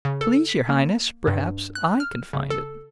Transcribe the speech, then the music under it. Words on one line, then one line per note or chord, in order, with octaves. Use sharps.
"Please, Your Highness, perhaps I can find it."
C#3
A4
B6
A#3
G2
F#6
F6
C#3
A4